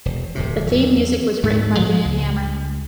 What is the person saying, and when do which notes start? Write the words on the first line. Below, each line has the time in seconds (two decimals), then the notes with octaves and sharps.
The theme music was written by Jan Hammer.
0.05 E1
0.35 D1 F2 C3
0.66 E2 F#3
1.43 D2 G#2 A3
1.79 A2 F3 F#3 B3
2.05 C#2